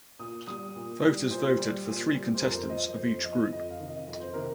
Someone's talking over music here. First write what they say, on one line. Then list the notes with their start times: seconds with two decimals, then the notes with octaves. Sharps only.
Voters voted for three contestants of each group.
0.19 A#2 D#6
0.47 G3 D#6
0.76 A#2
1.03 G3
1.31 A#2 C5
1.58 G3
1.87 A#2
2.13 G3
2.34 C5
2.41 F2 A#4
2.56 C5
2.69 F3 D#5
2.83 C5
2.96 F2 C5
3.24 F3 D#5
3.53 F2 D#5
3.70 F5
3.80 C3 D#3
3.88 D#5
4.07 F2 D#5
4.20 C5
4.33 C3 D#3 A#4